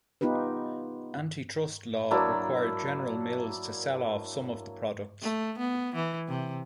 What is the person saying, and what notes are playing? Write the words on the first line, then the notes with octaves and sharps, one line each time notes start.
Antitrust law required General Mills to sell off some of the products.
B3 D#4 F4 G4 B4
F#3 A#3 D4 E4
A3
B3
E3
C3